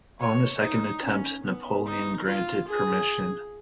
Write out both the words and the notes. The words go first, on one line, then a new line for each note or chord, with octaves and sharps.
On the second attempt, Napoleon granted permission.
C#5
D#4
C#4
B3
D#4
F4
G#4